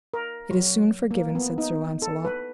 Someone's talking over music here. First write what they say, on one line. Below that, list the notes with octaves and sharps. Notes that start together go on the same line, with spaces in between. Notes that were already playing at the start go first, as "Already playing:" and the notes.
It is soon forgiven, said Sir Launcelot.
A#4
F#3
A#3
B3
D#4
A4
B4